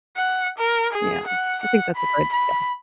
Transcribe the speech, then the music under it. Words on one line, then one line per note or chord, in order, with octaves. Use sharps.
Yeah, I think that's a great idea.
F#5
A#4
G#4
F#5
F#5
B5
B5